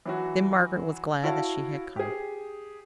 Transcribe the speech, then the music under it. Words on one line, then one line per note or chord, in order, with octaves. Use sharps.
Then Margaret was glad that she had come.
E3 F#3 F#4
E4 F#4 C#5 F5 A5
G4 G#4